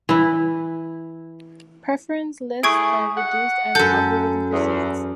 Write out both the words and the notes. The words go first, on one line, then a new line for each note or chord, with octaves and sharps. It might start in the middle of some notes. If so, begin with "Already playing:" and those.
Preference lists are reduced as algorithm proceeds.
E3 E4
A3 E4 G#4 C#6 G#6 D7
F#5
F#2 A4 G6
E2